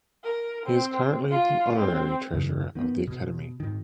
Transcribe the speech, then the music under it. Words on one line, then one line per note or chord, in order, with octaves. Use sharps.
He is currently the Honorary Treasurer of the Academy.
A#4
C4
F4
C4
F#2 C#3 E3
D#3 B3
B2
G#2 D#3